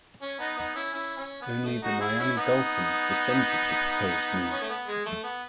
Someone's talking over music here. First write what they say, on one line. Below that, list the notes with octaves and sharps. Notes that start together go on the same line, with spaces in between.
Only the Miami Dolphins dissented the proposed move.
C#4
B3 D#4
B3 D#4
C#4 E4
C#4 E4
C#4
B3
A3
D#4 F#4
E4 G#4
C#4 E4
B3 D#4
C#4
A3
B3
G#3
A3
B3